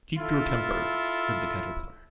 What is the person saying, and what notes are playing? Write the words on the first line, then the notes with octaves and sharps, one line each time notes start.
'Keep your temper,' said the Caterpillar.
E4 F4 A4